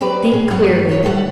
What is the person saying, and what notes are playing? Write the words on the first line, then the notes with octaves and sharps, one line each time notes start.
Think clearly.
F#3 C4 G4 B4 D5
A#2 G#4
G2 F#3 F#5
D#4 C#5
D2 G3 A4 D5 F#5